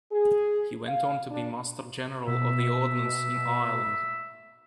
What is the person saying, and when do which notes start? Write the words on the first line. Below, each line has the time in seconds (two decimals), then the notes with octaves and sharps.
He went on to be Master General of the Ordnance in Ireland.
0.12 G#4
0.87 F5
1.30 D4
2.28 B2 E5